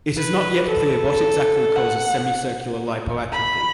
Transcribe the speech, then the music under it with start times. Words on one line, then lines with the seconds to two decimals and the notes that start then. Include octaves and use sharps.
It is not yet clear what exactly causes semicircular lipoatrophy.
0.17 B4
0.70 A4
1.76 F#5
3.33 B5